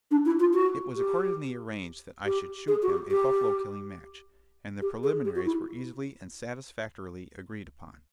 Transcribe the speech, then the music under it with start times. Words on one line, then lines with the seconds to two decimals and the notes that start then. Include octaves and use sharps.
It was accordingly arranged that I should shoot him a buffalo-killing match, and the preliminaries were easily and satisfactorily agreed upon.
0.11 D4
0.26 E4
0.40 F4
0.53 F#4
0.97 G4
2.26 G4
2.68 G#4
2.83 F#4
2.89 G4
3.11 G4
4.82 G4
5.03 G#4
5.25 G4
5.35 F#4
5.46 E4